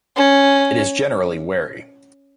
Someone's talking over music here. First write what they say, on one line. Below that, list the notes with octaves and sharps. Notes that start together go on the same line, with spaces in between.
It is generally wary.
C#4